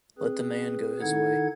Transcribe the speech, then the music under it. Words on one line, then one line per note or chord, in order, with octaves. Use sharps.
Let the man go his way'.
C4 G#4 B4
D#3 D#4 E4 A4 F#5 G#6